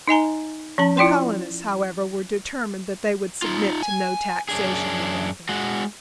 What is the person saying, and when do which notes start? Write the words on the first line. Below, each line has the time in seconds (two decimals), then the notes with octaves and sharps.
The colonists, however, were determined that they would submit to no taxation whatever.
0.08 D#4 D#5 G#5 A#5
0.78 F3 C#4 A5
0.97 E4 F4 D5 G5 C6
3.42 D#4 F4
3.82 G#5
4.49 F#2 D4 G#4
5.49 G#3 F#4